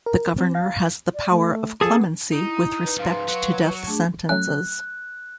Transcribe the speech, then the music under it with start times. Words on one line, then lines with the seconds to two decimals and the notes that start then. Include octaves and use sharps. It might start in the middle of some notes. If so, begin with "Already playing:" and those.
The governor has the power of clemency with respect to death sentences.
0.06 A#4
0.38 C4
0.55 F5
1.14 D5
1.30 A3
1.81 F3 G#4 A4
1.93 B3
2.32 D#4 E4 D#6
2.85 B4
2.99 G#2 F3 F5 C6
3.28 F#3 F#4
3.87 A3 D4 G#4
4.29 F#3 A3 C#4 F#6